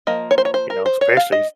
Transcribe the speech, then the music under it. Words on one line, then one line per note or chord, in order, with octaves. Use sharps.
You know, especially s
F3 A#3 D#5
C#5
C5
C#5
C5
A#4
C5
C#5
F5
D#5